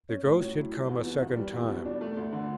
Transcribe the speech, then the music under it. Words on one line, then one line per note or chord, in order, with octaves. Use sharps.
The ghost had come a second time.
C#4
A2
F#3
E4
G3
E2
B2
E2
G3
E2
B2
D4
A3
D2
D3